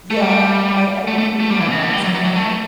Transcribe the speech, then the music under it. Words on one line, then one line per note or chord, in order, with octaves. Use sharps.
Yeah, I I want you to have that as well,
A3
G3
A3
A3
A3
G3
E3
B2
C#3
D3
G3
F#3
F#3
F#3
A3